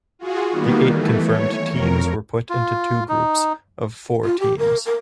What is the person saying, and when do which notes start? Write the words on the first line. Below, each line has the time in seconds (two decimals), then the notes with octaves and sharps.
The eight confirmed teams were put into two groups of four teams.
0.19 F4 F#4 G#4
0.51 D#3 G3 A#3 B3
0.88 E3 A3
1.24 C#5
1.68 F2 A#4
2.50 F4
3.09 D#4
4.24 F4
4.40 G4
4.58 A#4
4.86 A#4